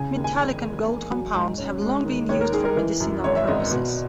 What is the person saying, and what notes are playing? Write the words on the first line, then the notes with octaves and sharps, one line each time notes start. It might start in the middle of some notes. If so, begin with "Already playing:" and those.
Metallic and gold compounds have long been used for medicinal purposes.
Already playing: C#3 G#5
D#2
G#5
E1
E1
A#3
F#3
G#2
C#4
G#3
D#3
D#2 C#5
A#4
D#4 G#4
A#4
E3
F#2
G#1 C#5
E5
G#1 D#5
B2